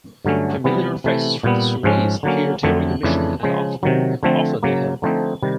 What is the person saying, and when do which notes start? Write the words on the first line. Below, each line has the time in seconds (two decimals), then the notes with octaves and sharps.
Familiar faces from the series appear during the mission and often offer their help.
0.25 G2 D3 F#3 A3 C#4
0.64 C3 E3 G3 B3
1.04 C3 E3 A3
1.43 A#2 G3 B3
1.83 G#2 F3 G#3 C#4
2.23 D3 F#3 A#3 C#4
2.63 F2 D3 F#3 A3 C4
3.03 F2 C#3 E3 A3 D4
3.43 C#3 F3 G#3
3.83 C3 D#3 F#3
4.23 D3 F3 A3 C4
4.63 C#3 F#3 A#3
5.02 D3 F3 A3 C4 D#4
5.43 C3 D#3 G3